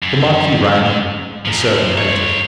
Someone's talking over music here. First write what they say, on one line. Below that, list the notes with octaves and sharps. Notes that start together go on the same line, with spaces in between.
The marquis rang, a servant entered.
F#2
A#2 F3
F4 C#5